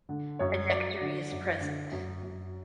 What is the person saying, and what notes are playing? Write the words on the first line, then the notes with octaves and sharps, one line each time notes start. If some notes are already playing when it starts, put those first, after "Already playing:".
A nectary is present.
D3
F#2 C#5
F#3 D5
D3
F#2
D3
F#2
F#2